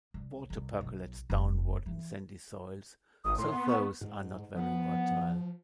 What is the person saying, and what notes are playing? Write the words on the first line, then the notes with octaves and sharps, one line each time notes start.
Water percolates downward in sandy soils, so those are not very fertile.
C2
C2
B1
F1
E3
G#1 D#6
A2 C6
B3
C#6
G#2
F3 B3